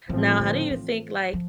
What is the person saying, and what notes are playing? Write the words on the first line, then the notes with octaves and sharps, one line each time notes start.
Now how do you think, like,
A2 E3 F3 C4
D3
E3
F3